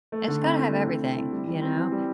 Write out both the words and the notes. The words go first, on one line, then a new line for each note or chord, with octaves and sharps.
it's gotta have everything, you know,
A3
D3
C4
E4
A3
D3
C4
E4
G3
E3
C4
E3
G3